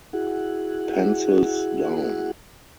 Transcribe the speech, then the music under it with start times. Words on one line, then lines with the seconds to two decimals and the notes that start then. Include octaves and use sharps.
Pencils down.
0.13 E4 F#4 G#4 F#5